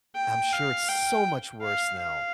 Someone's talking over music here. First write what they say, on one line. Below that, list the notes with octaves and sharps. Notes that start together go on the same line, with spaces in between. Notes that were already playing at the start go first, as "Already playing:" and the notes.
I'm sure it's so much worse now.
G5
F5
G5
F5
F5